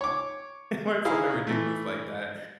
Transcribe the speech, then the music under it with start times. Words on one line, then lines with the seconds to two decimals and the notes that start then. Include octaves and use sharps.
or something ridiculous like that,
0.01 C#5 D6
1.05 D#4 E4 G#4 F5
1.47 E3 A3